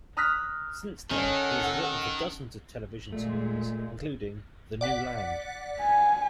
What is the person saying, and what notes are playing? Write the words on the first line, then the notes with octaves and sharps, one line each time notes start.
Since then, he has written for dozens of television series, including "The New Land".
A#5 D#6 F6 F#6 A#6 B6
D#3 C#4 A4 F#5
A#2 G#3 A3
D5 F#5 B6
G#5